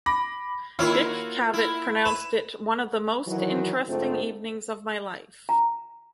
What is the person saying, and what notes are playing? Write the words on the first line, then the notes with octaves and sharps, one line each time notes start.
Dick Cavett pronounced it "one of the most interesting evenings of my life".
B5 D6 A#6
D#3 A#3 E4 F4 C#5
F#4
E4
B4 E7
D#3 E3 F#3
G#2 D3 A3 C4 F4
A#5